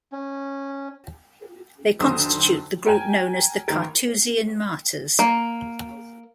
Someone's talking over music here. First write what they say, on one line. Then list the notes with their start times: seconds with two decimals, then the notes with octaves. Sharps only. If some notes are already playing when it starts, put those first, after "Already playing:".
They constitute the group known as the Carthusian Martyrs.
0.12 C#4
2.00 F1 B1 D3 D#3 C5 D#6
2.86 A#4 G5 G#5
3.68 A1 D#3 A#4
5.19 A#3